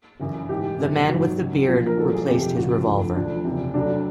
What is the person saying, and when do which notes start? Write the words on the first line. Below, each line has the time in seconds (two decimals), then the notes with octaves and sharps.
The man with the beard replaced his revolver.
0.20 G1 F#2 C#3 E3
0.49 A1 G#2 E3 G4
0.80 F#1 F2 C3 E3
1.09 G#1 G#2 D#3 F#3 F#4
1.38 C#2 C#3 F#3
1.68 A#1 A#2 F3 F4
1.87 A#4
1.97 A1 A2 F#3 A4
2.14 G#4
2.27 G1 F2 C3 F3 G4
2.56 C#2 C#3 F3 F#4
2.86 D2 D3 F3
3.15 E1 D2 D3 F3 D4
3.45 F#1 E2 C3
3.74 D2 D3 F#3 D4